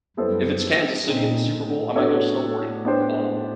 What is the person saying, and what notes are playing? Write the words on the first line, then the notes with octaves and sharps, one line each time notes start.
if it's Kansas City in the Super Bowl, I might go snowboarding. Um,
F#2 G3 B3 E4 A4 C5
A#2 C4 D#4 G#4
A2
B3 D4 F#4 A4 C#5
B3 D4 G4 C5